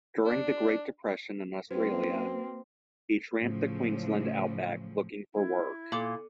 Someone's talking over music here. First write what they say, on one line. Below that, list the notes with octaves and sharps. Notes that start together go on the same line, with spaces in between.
During the Great Depression in Australia he tramped the Queensland outback looking for work.
D4
F#2 A#3 C4 F#4 B4 C5
A2 C#3 F3 F#3
E4
A#2 A4 D6 F#7